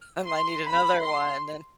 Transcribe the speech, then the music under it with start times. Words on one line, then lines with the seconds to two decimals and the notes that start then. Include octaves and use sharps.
I might need another one then."
0.27 C6
0.66 B5
1.03 C6